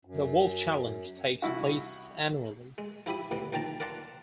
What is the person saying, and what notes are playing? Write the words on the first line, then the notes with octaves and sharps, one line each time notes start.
The Wolf Challenge takes place annually.
F#2
C2 E4 F#4
G#3
F3 E4 G4 B5 D#6
A2 C3 G3 B3
A#1 D#3 G5 A5 A#5
A#4 D5 F5 F#5 A5 C6